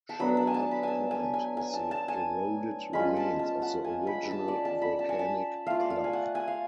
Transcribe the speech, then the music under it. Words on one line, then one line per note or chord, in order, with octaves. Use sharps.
Sherrard Point is the eroded remains of the original volcanic plug.
A5
F#3 B3 D4 B5
A5
G#5
A5
B5
G#5 A5
G#5
G#5
G#5
A5
A5
G#5
G#3 C#4 F4 B5
A5
A5
F#5
G#5
B5
B5
A5
D5
A5
B5
A5
G#5
A5
A3 F4 F5
D5
F5
G#5
F#5
G#5
F5